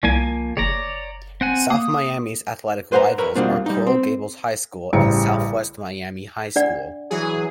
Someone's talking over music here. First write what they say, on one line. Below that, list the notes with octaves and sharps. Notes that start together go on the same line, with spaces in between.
South Miami's athletic rivals are Coral Gables High School and Southwest Miami High School.
C2 F3 A#3 G#5
F#1 C#5 D5 A#5
C4 F#5 G#5
A#3 D#6
B4 C5 F#5 G5 A#5
A#4 B4 C#5 E5 A#5
B2 G3 A#3 C4 D4 F4
G3 D#4
C4
A1 G2 C#3 C5 A#5 C#7
D4 D5 F#5
E3 F#3 G#4